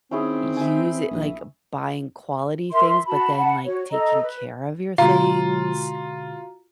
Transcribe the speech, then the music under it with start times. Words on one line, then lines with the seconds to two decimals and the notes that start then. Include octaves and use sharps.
use it, like, buying quality things, but then, like, taking care of your things.
0.11 D#3 C4 C#4 E4 G#4
0.57 E5 G#5
1.11 A#1
2.71 A#4 E5 C6
3.07 F#4 A5 B5
3.37 F#5 A5 B5
3.66 F#4 C#5
3.90 A4 D#5 A#5
4.21 B4
4.98 B2 D3 G#3 F4 F#4 F5 A#5